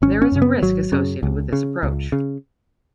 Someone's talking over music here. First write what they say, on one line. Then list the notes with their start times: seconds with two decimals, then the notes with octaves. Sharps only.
There is a risk associated with this approach.
0.02 G#1 C#4
0.22 C#4
0.32 F#2 C#3
0.42 B3
0.62 G#1 F#3
0.92 F#2 C#3
1.23 C#2
1.53 C#3
1.83 C#2
2.12 C#3